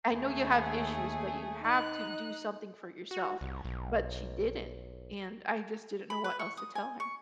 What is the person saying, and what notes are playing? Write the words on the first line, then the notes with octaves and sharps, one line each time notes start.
I know you have issues, but you have to do something for yourself," but she didn't and, I just didn't know what else to tell her.
D#2 A3 G#4
D#4 F#6
F#4
C2
B1
B5
B4
C#6
D#6
G#5
C#6